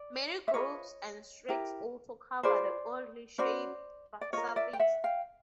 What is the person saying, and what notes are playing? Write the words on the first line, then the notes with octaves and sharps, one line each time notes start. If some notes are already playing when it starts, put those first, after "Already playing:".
Many grooves and streaks also cover the oddly shaped surface.
Already playing: D5
E5
F4 G#4 B4 C#5 D#5
E4 G4 A#4
F4 G#4 B4 C5 D5
C#4 F#4 B4 C5 D5
D5
F4 A#4 C#5 D#5
D5 E5
G5
E5 F#5
F5 G5